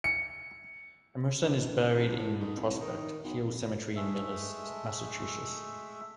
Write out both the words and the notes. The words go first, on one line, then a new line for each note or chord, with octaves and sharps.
Emerson is buried in Prospect Hill Cemetery in Millis, Massachusetts.
C#7
D3
F#1
C#2
A1
A2
G#2
C2
D#3
D#3
B1
F2
G#3 A3 E5